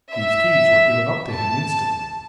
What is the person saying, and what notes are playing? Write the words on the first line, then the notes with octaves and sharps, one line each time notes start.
These keys were given up to him instantly.
E5
A5